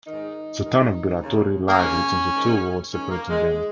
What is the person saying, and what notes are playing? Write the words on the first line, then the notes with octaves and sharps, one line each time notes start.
The town of Biratori lies between the two wards separating them.
G#2 D#3 D#4
G#2 D#3
D#2 C#3
A#3
D#2 C#3 C#4
G#2 D#3
G#2 D#3 C#4
A#3
G#3
D#3 G#3